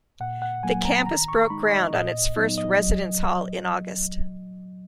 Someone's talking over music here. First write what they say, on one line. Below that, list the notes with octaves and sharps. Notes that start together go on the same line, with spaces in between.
The campus broke ground on its first residence hall in August.
A#2 F#5
F#5
F#3 A#3 G#5
A#5
D#3 A#5
C#6
G#3 D#4 B5
D#5
A#2 D#5
F#3 B3 D#4
D#5
F#3